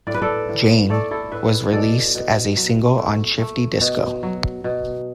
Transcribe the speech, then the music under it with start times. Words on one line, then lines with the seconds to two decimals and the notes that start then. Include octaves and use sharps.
"Jane" was released as a single on Shifty Disco.
0.07 A2 D5
0.14 B4
0.22 A4 D5
0.49 A2
0.90 A3 A4 D5
1.11 E4 A4
1.31 A2 B4 E5
1.73 B2 A4 D5
2.15 B2
2.57 F#3
2.98 A3
3.39 A3
3.81 B2
4.23 F#3
4.64 B2